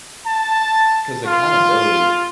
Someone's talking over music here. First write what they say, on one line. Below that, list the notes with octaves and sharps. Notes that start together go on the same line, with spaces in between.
'cause accountability
A5
F4